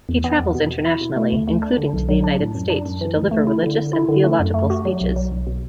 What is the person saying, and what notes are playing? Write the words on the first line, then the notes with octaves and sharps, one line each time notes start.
He travels internationally, including to the United States to deliver religious and theological speeches.
E2
B3
E2
B2
B2
E4
B2
A3
D2
A3
D4
D3
B1
F#3
D4
A2
F#2
D4
F#2
E3
D2
A3
E4
D3
D3
E4
D3
A3
F#2
A3
F#4
F#3
B1
F#3
B1
B2